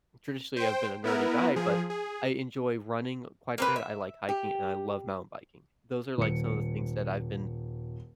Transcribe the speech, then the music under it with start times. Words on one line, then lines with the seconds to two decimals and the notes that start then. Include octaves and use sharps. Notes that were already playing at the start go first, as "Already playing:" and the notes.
Traditionally, I've been a nerdy guy, but I enjoy running quite a bit, I like hiking, and I love mountain biking. Those are, like, some of the things that I've been,
0.57 C5 G5
1.04 B3 E4 A#4 B4
1.56 F3 G#4
1.90 G#4
3.58 A#3 C4 B4
3.76 E5
4.29 G4
6.18 D#1 C#7